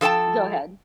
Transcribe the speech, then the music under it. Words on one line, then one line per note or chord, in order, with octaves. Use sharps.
Go ahead.
F3 A4 C5 G5 A5